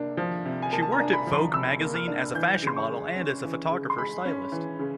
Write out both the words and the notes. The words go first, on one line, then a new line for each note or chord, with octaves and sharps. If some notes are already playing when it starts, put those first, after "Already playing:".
She worked at "Vogue" magazine as a fashion model, and as a photographer's stylist.
Already playing: C3 A#3 D4
F3
C3
G#5
A#3 A5
A5
A#5
D4
B5
F3
C6
C3 E6
A#3
F6
D4
E3 G6
C#3 C6
C#6
G#3
C#4
E3
C#3
C6
G#3 B5
C#4
E3
C#3